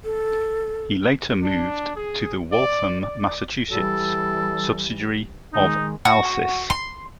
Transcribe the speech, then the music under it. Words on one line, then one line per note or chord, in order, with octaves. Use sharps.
He later moved to the Waltham, Massachusetts subsidiary of Alsys.
A4
D4
G#4
D5
D5
E3 G3 A4
D#3 G#3 D#4
F#4
C6